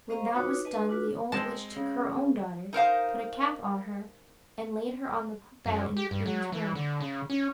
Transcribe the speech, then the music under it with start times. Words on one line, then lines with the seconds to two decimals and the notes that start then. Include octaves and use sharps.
When that was done the old witch took her own daughter, put a cap on her, and laid her on the bed in the queen's room.
0.10 C5 D#5 F5 A#5 C#6
0.35 D#4 F4 F#4 B4 C#5 D6
0.64 D4 B4 D#5 G#5 A5
0.89 D4 F4 F#4 B4
1.32 G#3 C4 A5
1.76 C#3
2.73 D#4 A#4 C5 F5
5.66 F#2
5.97 G4
6.11 G2
6.26 F#3
6.52 E3
6.75 D3
7.01 C#3
7.30 C#4